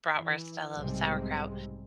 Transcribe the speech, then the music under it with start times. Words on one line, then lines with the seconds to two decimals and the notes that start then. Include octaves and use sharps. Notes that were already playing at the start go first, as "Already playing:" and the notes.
bratwurst. I love sauerkraut.
0.17 E3
0.77 B1 G#2 C3 G3 G#3 C4